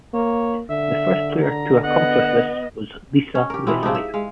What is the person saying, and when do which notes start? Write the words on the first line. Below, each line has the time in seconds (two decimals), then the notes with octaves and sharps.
The first player to accomplish this was Lisa Leslie.
0.14 A#3 C#5
0.70 D3 E5
1.42 A#5
1.84 B3 D#5 F#5
3.35 C#4
3.50 G4 A#4
3.67 B2 E3 B3 C4
3.83 C#3 C4 D4 D#4
3.95 E5
4.14 G#3 F5